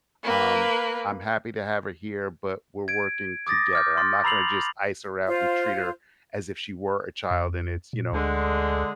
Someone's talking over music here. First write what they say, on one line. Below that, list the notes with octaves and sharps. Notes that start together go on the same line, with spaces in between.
Um, I'm happy to have her here, but, we're working together I'm not gonna just ice her out and treat her as if she were a child and it's, you know,
A#3 B4
G#6 D7
D6 D#6 A6 A#6
D6 F6 G6
C6 F6 A6
A#5 B5 E6 C7 F7 F#7
F4 C5
F2
A#2
D2 D3 G#3